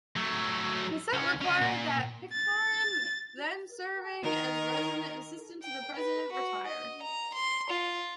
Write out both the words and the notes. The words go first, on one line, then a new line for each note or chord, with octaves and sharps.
Cassatt required that Pitcairn, then serving as Resident Assistant to the President, retire.
F#3 A3
C#2 C#4
C#4 D#5
A#2
A6
D#3 A#4
G5
B4
F#4
D#5
A#5
C6
F4